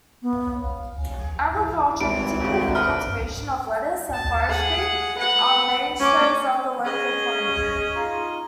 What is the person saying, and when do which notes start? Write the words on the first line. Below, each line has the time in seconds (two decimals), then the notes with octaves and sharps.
Agriculture, particularly the cultivation of lettuce, and forestry are mainstays of the local economy.
0.22 B3
1.56 E3
2.01 G#1 E3 G3 D7
2.40 D2 C#3 G3
2.75 C3 B4 D#6 F6
4.14 A5
4.49 G#4 F#5
5.18 B4 F#5
6.00 C#4 D6
6.85 C#4 G#4 D#5
7.95 D#4 F4